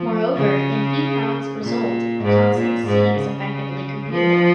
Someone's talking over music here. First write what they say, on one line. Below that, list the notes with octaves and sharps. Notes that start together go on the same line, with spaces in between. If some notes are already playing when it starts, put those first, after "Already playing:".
Moreover, in Heath-Brown's result the constant "c" is effectively computable.
Already playing: F3
C#3
A#2
G#2
A#2
G#2
C#3
F3